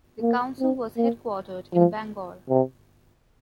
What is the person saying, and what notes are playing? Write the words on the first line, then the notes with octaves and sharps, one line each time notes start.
The Council was headquartered in Bangor.
A#3
C4
A#3
F3
C3